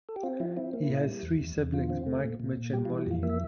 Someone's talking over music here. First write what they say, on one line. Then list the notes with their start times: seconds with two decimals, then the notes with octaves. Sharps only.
He has three siblings: Mike, Mitch and Molly.
0.09 A4
0.16 G4
0.23 C4 F4
0.40 F3 E4
0.57 C4 E4
0.73 A#3
0.83 E4
0.90 A#2
1.06 G3
1.23 E2
1.41 E2
1.56 E2
1.73 D3 F4
1.90 C4
2.06 A3
2.23 A#2
2.40 A#2
2.57 A#2
2.73 G3 G4
2.85 F4
2.90 E3
2.98 E4
3.07 F2 F4
3.23 A#3 E5